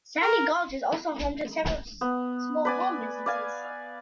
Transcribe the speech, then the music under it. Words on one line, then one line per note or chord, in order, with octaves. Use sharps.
Sandy Gulch is also home to several small home businesses.
A#4
B3
B4 D5 G#5
D5 F5 G#5